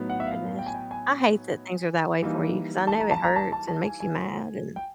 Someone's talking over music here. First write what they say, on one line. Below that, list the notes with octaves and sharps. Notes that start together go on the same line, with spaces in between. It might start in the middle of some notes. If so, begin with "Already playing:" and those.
Goodness. I hate that things are that way for you 'cause I know it hurts and makes you mad, and
Already playing: A2 F#3 B3 D#4
F#5
E5
F5
G5
G#5
G5
G#5
E3 G3 A#3 D#4
A5
A#5
A5
A#5
A5
A5
A5
G#5
G#5
G5